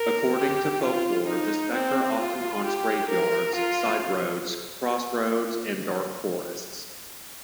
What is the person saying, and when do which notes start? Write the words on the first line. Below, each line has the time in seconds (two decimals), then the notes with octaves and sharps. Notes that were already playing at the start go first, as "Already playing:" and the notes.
According to folklore, the spectre often haunts graveyards, side roads, crossroads and dark forests.
Already playing: A#4
0.36 G4
0.82 F4
1.27 D#4
1.72 C4
2.18 F4
2.64 G4
3.09 A#4
3.55 F4